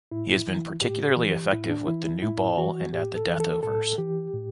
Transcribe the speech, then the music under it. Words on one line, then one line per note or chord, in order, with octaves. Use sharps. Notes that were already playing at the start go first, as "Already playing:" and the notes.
He has been particularly effective with the new ball and at the death overs.
A2 E4
E3
A2 G4
E3
A2 E4
D4
E3 E4
E4
A2 E4
E3 F#4
A2 G4
A4
E3
A4
A2 A4
E3 G4
A2